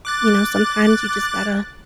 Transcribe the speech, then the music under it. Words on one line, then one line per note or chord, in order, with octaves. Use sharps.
you know, sometimes you just gotta
D6 F#6 A6